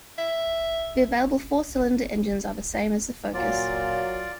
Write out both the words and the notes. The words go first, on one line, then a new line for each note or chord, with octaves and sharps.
The available four-cylinder engines are the same as the Focus.
E5
A#2 F#3 F4 D5